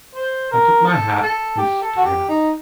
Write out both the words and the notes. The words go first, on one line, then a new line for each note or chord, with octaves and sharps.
I took my hat and staggered out.
C5
A#4
A4
A4
G4
A4
F#4
G4
D#4